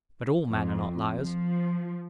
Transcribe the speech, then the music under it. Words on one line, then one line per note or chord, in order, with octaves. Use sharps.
But all men are not liars.
F2
F3